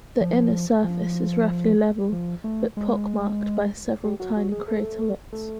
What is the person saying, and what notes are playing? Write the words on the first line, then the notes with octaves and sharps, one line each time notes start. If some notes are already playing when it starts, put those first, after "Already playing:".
The inner surface is roughly level, but pock-marked by several tiny craterlets.
F3
F3
F3
A3
G#3
G3
F#3
F#3
G#3
A3
A3